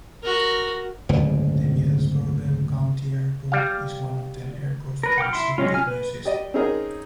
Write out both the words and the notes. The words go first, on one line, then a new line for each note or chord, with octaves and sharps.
The Middlesboro-Bell County Airport is one of ten airports to receive this new system.
F#4 A#4
D1 G1 C#2 A#2
G3 F5
A#4 B4
F#5 G5 D6 F6
E4 C6
F#3 G#3 C4 C#4 F4
G#5 F6
B4
G4 D5 D#5
C4 C#4 D#4 G#4 A#4